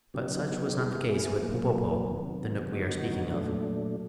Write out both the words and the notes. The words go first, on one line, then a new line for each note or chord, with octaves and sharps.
But such was not the case with Popopo, the knook we are speaking of.
C#3 F#3 B3 D#4 G4
G3 B3 E4 G#4
A#2 F#3 A#3
C3 D#3 F#3 B3
D3 F#3 B3 D#4 F#4
A#2 F#3 A3 D4